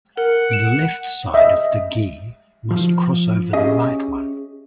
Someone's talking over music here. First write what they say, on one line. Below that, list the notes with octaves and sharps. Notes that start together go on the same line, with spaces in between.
The left side of the gi must cross over the right one.
A#4 F#5
D7 E7
D#5 E5
F3
C#4 G4 G#4 D#5 E5